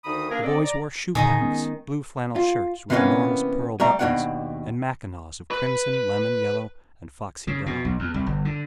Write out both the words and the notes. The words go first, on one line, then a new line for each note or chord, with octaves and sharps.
The boys wore shoe-packs, blue flannel shirts with enormous pearl buttons, and mackinaws of crimson, lemon yellow, and foxy brown.
D2 D#3 D#4 B5 D#6
A#3 D4 G#4 A#4
C4 A4 D5 D#5
D5 A#5
A#2 D3 D#3 G#4 D#5 A#5
G#3 B3 C#4
F4
C3 E3 G3 A#3 B3 C#4
G3 A3 A#5
D#2 B2 E3 G#3 D4 F#5
B4 B5
C#3
B2
B1
E2
C2
G1
D3